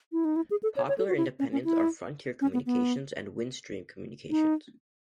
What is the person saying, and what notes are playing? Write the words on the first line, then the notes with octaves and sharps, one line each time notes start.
Popular independents are Frontier Communications, and Windstream Communications.
E4
D#4
E4
G#4
A4
C#5
C#5
A4
F#4
E4
C#4
C#4
E4
C#4
B3
B3
D#4